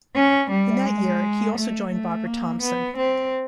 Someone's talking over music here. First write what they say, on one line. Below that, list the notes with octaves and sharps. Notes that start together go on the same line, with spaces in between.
In that year, he also joined Barbara Thompson.
C#4
G3
G#3
A3
A3
A#3
B3
C4